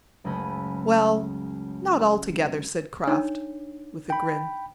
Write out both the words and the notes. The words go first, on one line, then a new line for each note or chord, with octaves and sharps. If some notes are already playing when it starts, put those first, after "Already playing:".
"Well, not altogether," said Kraft, with a grin.
F#1 C#2 A3 G#4 D#5 B5
D4 D#4 C#5
G5 B5